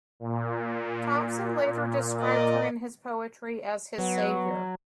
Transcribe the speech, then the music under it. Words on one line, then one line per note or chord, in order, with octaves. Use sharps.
Thompson later described her in his poetry as his saviour.
A#2
A#4 D5 D#5
F#3 B3